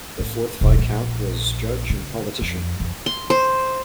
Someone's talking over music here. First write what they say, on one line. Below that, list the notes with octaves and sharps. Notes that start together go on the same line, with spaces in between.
The fourth Viscount was judge and politician.
A1 C#4
E1 B1
A#1
C#3
F2
F2
C6
C5